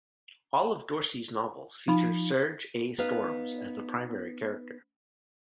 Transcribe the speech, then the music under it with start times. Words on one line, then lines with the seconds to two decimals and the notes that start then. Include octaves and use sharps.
All of Dorsey's novels feature Serge A. Storms as the primary character.
1.88 F3 D#4 B5
2.98 B3 D#4 B4 F5